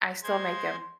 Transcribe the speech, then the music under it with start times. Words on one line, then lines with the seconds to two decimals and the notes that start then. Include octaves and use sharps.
I still make 'em
0.23 G#3 C5 C6 G#6